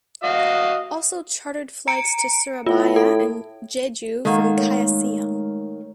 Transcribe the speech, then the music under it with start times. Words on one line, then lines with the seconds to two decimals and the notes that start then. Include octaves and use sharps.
Also chartered flights to Surabaya and Jeju from Kaohsiung.
0.24 F#4 D#5 F5
1.88 A#5 C#7 D7
2.66 A2 F4
2.96 A4
4.25 D#3 G#3 A#3 A4 F#5
4.57 A3 A#4 C#5